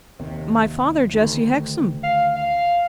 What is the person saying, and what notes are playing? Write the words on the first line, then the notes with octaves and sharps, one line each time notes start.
'My father, Jesse Hexam.'
D#2 C3
D2 D#3
F5
F5